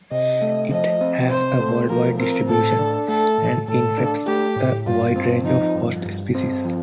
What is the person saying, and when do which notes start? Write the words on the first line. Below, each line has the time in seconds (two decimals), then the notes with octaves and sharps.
It has a worldwide distribution, and infects a wide range of host species.
0.11 C3 D#5
0.42 A3
0.71 F3 D#5
1.01 C4
1.30 C3 C5
1.60 A3
1.89 F3 A#4
2.19 C4 A#4
2.49 A2 A4
2.79 D4
3.08 A3 A4
3.38 A2
3.67 A2 A4
3.98 D4
4.27 A3 G4
4.56 A2
4.86 G2 F4
5.16 C4
5.45 F3 D#4
5.75 G2
6.05 G2
6.35 C4
6.65 F3